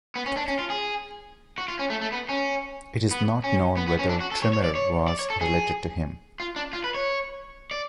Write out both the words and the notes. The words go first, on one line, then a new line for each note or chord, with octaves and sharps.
It is not known whether Trpimir was related to him.
B3
C#4
D4
C#4
F4
G#4
F#4
F4
C#4
A3
A3
B3
C#4
B3
C#4
B3
B3
C#4
D4
F#4
A4
C#5
C#5
D5
C#5
D5
C#5
A4
G#4
F4
D4
F4
B4
C#5
D5